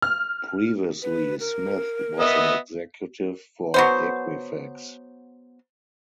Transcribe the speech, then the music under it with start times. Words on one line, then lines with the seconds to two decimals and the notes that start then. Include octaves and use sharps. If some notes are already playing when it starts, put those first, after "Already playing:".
Previously, Smith was an executive for Equifax.
0.02 F6
1.02 B4
1.40 A#4
2.20 B3 D#5 E5
3.74 F#3 B3 C5